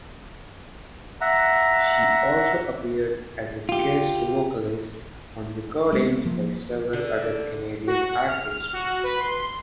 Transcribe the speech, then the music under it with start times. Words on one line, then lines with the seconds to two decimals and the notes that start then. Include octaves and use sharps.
She also appeared as a guest vocalist on recordings by several other Canadian artists.
1.21 E5 F#5 A#5
3.69 F4 G4
5.92 G#3 A3 B3
6.25 F3 A#3
6.93 D3
7.87 F#4
8.08 F#5
8.28 F6
8.51 F6
8.73 F#4
9.04 B4
9.20 C6